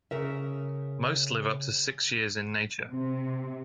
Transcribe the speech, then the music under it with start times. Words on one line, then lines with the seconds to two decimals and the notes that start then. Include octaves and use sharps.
Most live up to six years in nature.
0.11 C#3 A#4 E5
2.92 C3